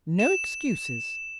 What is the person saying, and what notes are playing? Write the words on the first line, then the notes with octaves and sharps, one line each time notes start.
No excuses!
E7